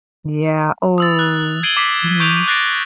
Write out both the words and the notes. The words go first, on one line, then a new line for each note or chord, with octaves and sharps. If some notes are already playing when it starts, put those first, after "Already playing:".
Yeah, ooh. Mhm.
D#6 E6 A6
F#6
G#6 C7 D7 D#7 F#7 G7
D6 B6 C7
C#6 G6 D7 F7
F#6 A6 A#6 C7 D7